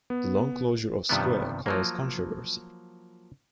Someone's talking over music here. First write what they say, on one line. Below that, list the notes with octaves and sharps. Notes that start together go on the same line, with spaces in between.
The long closure of square caused controversy.
B3
G2 C3 D#3 F3 G3 B3
F3 F#3 A#3